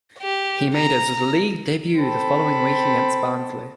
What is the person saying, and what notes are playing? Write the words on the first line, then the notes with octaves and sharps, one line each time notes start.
He made his League debut the following week against Barnsley.
G4
A#5
C4 A4 B5